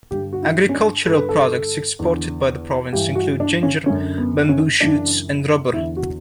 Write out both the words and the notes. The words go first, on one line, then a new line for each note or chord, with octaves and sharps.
Agricultural products exported by the province include ginger, bamboo shoots, and rubber.
G2 D3 G4
F#4
E4
C#4
D4
G2 D3 A4
B4
A4
E2 D3
G2 E3 G4
F#4
D4
C#4
F#2 D3 C#4
B3
C#4
F#2 C#3 E3 D4
E2 D3 E4
F#4